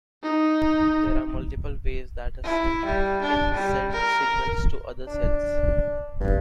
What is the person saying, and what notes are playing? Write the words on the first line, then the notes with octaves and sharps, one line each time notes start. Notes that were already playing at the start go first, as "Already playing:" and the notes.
There are multiple ways that a cell can send signals to other cells.
D#4
E4
G3
D4
G3
A#4
D4
G1 G2 C#3